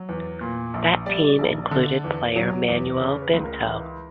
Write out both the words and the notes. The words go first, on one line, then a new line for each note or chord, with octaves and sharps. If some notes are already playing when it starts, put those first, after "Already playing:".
That team included player Manuel Bento.
Already playing: F#3
E2
A#2
A#1
G3 D5
A#1
D3
E2
F#3
E2
C#3 C#5
B4
C#2
A#4
E3